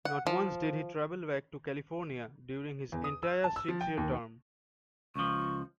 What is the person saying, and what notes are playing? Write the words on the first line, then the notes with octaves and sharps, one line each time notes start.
Not once did he travel back to California during his entire six-year term.
F#5
F3
E2
D#6
E6
A5
E6
F3
G5
D#2
C#2 F3 C#6